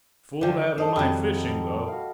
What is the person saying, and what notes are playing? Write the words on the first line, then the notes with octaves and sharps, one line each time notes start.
Fooled out of my fishing though.
D3 E3 D5 F5 G5
A4 C5 D#5 A5
F2 D#3 F#3 G3 B5
F#4 F5